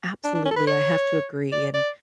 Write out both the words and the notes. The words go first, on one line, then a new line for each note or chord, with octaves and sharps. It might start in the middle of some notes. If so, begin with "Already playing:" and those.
Absolutely, I have to agree, and
D4
D4
C#4
A4
B4
C#5
D5
D5